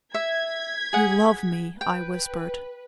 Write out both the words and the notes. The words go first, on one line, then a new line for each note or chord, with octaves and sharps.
"You love me!" I whispered.
E5 G#6 B6
G#4 F#5
B4 G5